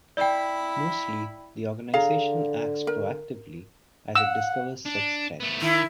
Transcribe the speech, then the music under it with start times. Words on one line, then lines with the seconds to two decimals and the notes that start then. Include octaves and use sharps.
Mostly, the organization acts proactively as it discovers such threats.
0.17 E4 D5 G5 B5
1.93 D3 G#4 F5 A#5
2.87 A#4
4.15 F5 F#5 E6
4.85 D4
5.40 A3 B3
5.61 D#3 E4